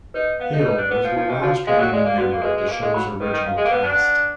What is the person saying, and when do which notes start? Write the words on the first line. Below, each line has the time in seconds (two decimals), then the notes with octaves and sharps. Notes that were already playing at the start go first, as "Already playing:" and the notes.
Hill was the last remaining member of the show's original cast.
0.14 D#4 B4
0.40 B3 F5
0.53 D#4
0.65 D#4 B4
0.78 D4
0.91 B3 B4
1.04 F3
1.16 F3 D#4
1.29 D#3
1.42 F3 F#4
1.67 G#3 F5
1.79 F#3
1.93 G#3 D5
2.05 A#3
2.18 B3 F#4
2.31 A#3
2.43 G#3 B4
2.57 G#3
2.68 A#3 F5
2.82 G#3
2.94 F#3 B5
3.20 D#3 B4
3.33 D#3
3.46 F5
3.57 G#3
3.65 A#3
3.71 B3 B4
3.84 D4
3.96 F#5